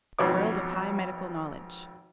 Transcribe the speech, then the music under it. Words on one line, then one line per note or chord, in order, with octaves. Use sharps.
A World of High Medical Knowledge.
G#1 F2 B2 C#5 D6